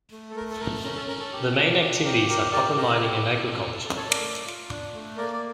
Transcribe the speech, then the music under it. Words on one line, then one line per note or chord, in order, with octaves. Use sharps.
The main activities are copper mining and agriculture.
A3
A4
A3 A#4
A4
A3 A#4
C#4 A#4
A4
C#4 A#4
A4
G4
D4
G4
G4 A#4
G4 A#4
G4 A#4 D5
G4 A#4
G4
A4
A4
A4
A4
A4 C#5
A#4 D5
A3
F4
D4
A3
A#3 A#4 D5
D5